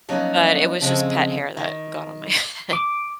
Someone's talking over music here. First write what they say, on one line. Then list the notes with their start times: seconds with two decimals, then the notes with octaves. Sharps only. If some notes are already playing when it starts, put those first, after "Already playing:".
but it was just pet hair that got on my head.
0.09 F3 F#3 A#3 B3 C#4 D#4
0.81 F2 C#3 F3 G#3 B3 C4
1.57 D#3
2.73 D6